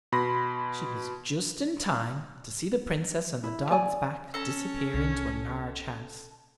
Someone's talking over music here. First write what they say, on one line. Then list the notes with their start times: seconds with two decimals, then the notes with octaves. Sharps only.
She was just in time to see the Princess on the dog's back disappear into a large house.
0.12 B2 B5 C6 A#6
3.44 E4
3.71 D5 G#5
4.34 C#4 A4 A#5
4.94 C2